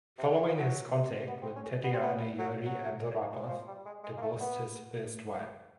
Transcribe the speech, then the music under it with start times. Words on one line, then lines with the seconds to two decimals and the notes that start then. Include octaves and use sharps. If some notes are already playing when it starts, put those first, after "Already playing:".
Following his contact with Tatyana Yuri Andropov divorced his first wife.
0.18 C3
0.32 E3
0.45 F3
0.59 F#3
1.28 B3
1.42 C4
1.56 C#4
1.84 B3
1.93 C4
2.02 B3
2.38 F#3
2.66 F#3
3.48 F3
3.67 G3
3.85 G#3
4.04 G#3
4.17 A#3
4.22 A3
4.40 B3